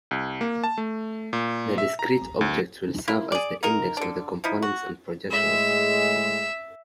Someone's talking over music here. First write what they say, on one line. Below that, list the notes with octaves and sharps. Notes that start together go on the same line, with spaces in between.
The discrete objects will serve as the index of the components and projections.
C2
A#3
A5
A3
A#2
E5
A#5
D2
A#3 E4 F4
G#4 D5
A#3 D#4 F4 A#4
D3 D4
F3 D#4 E4
F#4
A2 G#3 E5